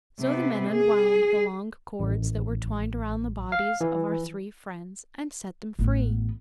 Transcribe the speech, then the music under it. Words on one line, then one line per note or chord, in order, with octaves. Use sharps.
So the men unwound the long cords that were twined around the bodies of our three friends, and set them free.
C3 B3
G#4
A1
F5
E3
A1 B3